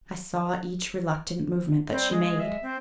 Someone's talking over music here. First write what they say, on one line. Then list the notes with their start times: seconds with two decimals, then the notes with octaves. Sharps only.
I saw each reluctant movement that she made.
1.91 G3 C4
2.11 G#3 G#4
2.40 E5
2.62 C4